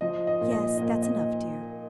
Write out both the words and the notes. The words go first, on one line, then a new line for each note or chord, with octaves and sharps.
"Yes, that's enough, dear."
F3 D#5
D#5
A#2
D#5
A#2 D#5
D#5